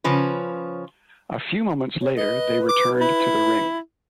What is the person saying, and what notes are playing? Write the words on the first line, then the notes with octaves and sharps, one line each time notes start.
A few moments later, they returned to the ring.
C#3 F3 C#4 B4
C#5
B4 D#5
D6
E4